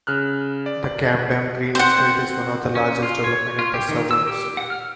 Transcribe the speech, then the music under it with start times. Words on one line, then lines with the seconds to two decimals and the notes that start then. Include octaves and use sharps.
The Camden Green Estate is one of the largest developments in the suburb.
0.07 C#3 F6 F#6
0.66 D5
1.32 C#7
1.75 C4 C5 F#5
2.75 C#4
3.03 F4
3.24 C#5
3.59 F4
3.74 G4
3.89 D#3
4.11 E6
4.27 G4
4.57 F#5
4.70 F6